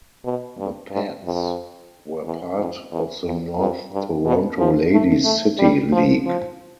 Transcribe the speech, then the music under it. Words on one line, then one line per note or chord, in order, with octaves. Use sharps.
The Pats were part of the North Toronto Ladies' City League.
B2
G2
G2
F2
E2
F2
E2
F2
F2
G2
B2
F3
A3
A3
G3
F3
F3